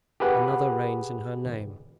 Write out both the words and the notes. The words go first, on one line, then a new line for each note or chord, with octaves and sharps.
Another reigns in her name.
G4 G#4 B4 F#5